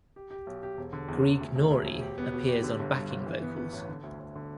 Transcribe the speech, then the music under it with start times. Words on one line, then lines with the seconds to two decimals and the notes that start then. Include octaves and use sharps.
Greig Nori appears on backing vocals.
0.16 G4
0.31 G4
0.47 B1
0.63 G4
0.77 E1
0.93 D3
1.08 E2
1.25 E2
1.40 D2
1.55 E1
1.70 D2
1.86 E1
2.01 G4
2.18 B3
2.34 B2
2.48 G4
2.64 D3
2.79 G1
2.96 G2
3.10 G1
3.26 E3
3.42 B3
3.57 B3
3.73 A1
3.88 D3
4.03 D2
4.20 D2
4.36 D3